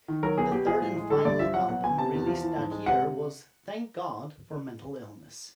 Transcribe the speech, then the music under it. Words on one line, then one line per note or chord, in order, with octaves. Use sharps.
The third and final album released that year was "Thank God for Mental Illness".
D#3
F#3 A#4
B2 G#4
B2 G4
F3 G#4
A2
G#3
D3 A4
G2 D5
F3 E5
F#3 F#5
B2 F#5
B2 G#5
C3 A5
E2
F3
E3
G#2
G#3
C3 F#5